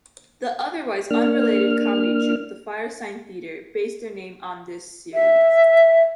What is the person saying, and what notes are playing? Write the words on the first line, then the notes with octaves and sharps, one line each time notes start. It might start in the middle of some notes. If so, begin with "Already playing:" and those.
The otherwise-unrelated comedy troupe The Firesign Theatre based their name on this series.
A#3 D4 F6
E5